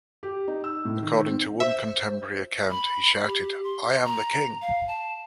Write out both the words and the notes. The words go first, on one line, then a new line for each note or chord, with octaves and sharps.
According to one contemporary account, he shouted I am the king!
G4
D#4
E6
A2
D#3
C4
C5 E5
B5
G4
C6
A#5
F5
A5